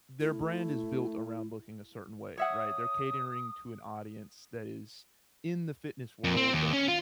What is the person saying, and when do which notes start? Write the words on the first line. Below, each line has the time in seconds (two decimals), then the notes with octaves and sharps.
their brand is built around looking a certain way, right? They're catering to an audience that is in the fitness world that
0.20 A3 E4
2.38 C#5 E5 F#5 D#6
6.24 F2
6.37 C4
6.53 D#2
6.73 C#4
6.88 F4